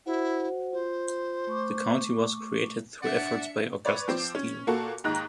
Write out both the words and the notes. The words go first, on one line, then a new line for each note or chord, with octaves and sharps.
The County was created through efforts by Augustus Steele.
E4 F#4 C5 F#5
F4 C5
A3 C#6 D6
D4 D5 E5 F#5 C#7
B4 C#5 D5
F3 C4 D6
C#4
A#2 A#3 F#4 A4
D#2 G#2 D#5 A#5 F#6